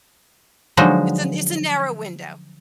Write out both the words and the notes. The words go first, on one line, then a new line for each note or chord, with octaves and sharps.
It's a it's a narrow window.
D3 F3 F#3 G#3 D#4